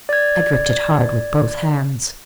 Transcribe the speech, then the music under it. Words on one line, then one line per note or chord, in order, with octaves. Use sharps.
I gripped it hard with both hands.
D5 G#6